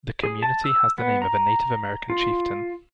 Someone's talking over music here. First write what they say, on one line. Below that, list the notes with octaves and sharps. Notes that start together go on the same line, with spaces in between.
The community has the name of a Native American chieftain.
G#4
A5
E6
B3
A#5
F4